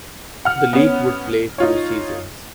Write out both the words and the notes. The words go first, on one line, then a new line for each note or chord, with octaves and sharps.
The league would play two seasons.
F#5 F6
B3 C#4
D#4 F4 C#5